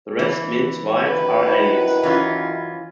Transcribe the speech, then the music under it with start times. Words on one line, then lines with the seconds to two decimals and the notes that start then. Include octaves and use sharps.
The rest men's wives are aliens.
0.19 E3
1.06 F#2 D#3 E4 B4
2.04 E3 C#4 F4